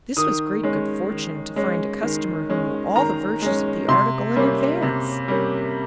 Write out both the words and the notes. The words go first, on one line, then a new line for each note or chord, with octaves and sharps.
This was great good fortune, to find a customer who knew all the virtues of the article in advance.
D#3 D#6
G#3 C#4
D#3
G#3 C#4
D#3
G#3 C#4
D#3 A#5
G#3 C#4
C3 C6
G3 A#3 C#4
C3
G3 A#3 C#4